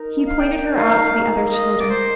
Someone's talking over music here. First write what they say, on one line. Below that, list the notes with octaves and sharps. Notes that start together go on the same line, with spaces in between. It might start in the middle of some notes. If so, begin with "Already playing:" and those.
He pointed her out to the other children.
Already playing: D#4 A#4
F5
G5
A#3 D#4 A#4 F5
D#5
D5
C5